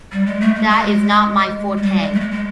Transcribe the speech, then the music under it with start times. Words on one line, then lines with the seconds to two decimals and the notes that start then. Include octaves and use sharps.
That is not my forte.
0.12 G3
0.26 G#3
0.41 A3
0.55 G#3
0.70 G#3
1.77 G#3
1.83 G3
2.02 G#3
2.14 A3
2.20 G#3
2.31 G#3